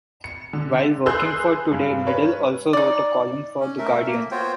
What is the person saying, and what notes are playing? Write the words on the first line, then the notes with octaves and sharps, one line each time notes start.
While working for "Today", Liddle also wrote a column for "The Guardian".
C#7
D3
G#4 B4 C6 E6 F#6 G6
G2
B4 C#5
D#4 D5
C#4
A3 A#4 E5
A#3
B3 F4 F#4 C5 C#5 G5